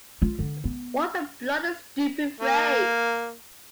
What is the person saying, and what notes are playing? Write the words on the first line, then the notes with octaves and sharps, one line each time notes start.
What a bloody stupid phrase.
F4
D3
B3
A#3